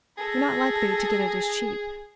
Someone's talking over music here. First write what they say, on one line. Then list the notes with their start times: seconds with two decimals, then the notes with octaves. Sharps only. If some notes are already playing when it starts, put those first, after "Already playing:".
You're not likely to get it as cheap.'
0.18 G#4 A4 A#6